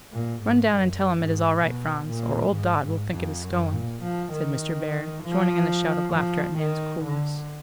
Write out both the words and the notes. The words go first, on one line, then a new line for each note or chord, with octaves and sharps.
"Run down and tell him it is all right, Franz, or old Dodd will think it is stolen," said Mr. Bhaer, joining in the shout of laughter at Nan's coolness.
A#2
G#2
F#2
G#2
B2
A#2
G#2
G#2
F2
F#2
A#2
F3
D#3
F3
F3
D#3
D3